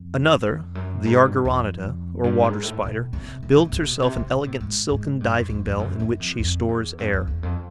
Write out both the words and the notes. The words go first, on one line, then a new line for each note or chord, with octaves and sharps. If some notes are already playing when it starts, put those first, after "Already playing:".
Another, the Argyroneta, or Water Spider, builds herself an elegant silken diving-bell, in which she stores air.
Already playing: F2
F2
F#2
G#2
G2
F2
G2
G#2
A2
B2
C3
C3
C3
C3
B2
C3
C3
B2
A2
G#2
G#2
G2
F2
F2
F2
F#2
F#2
F2
F2
E2
F2
F2
E2
F2